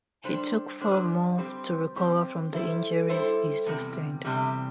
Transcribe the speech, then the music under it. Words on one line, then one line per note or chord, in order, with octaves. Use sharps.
He took four months to recover from the injuries he sustained.
G3 D4 C5
G3 D4 C5
G3 C4 G4 C5
G3 C4 G4 C5
G3 E4 A4 C5
G3 E4 A4 C5
E2 C3 G3
E2 C3 G3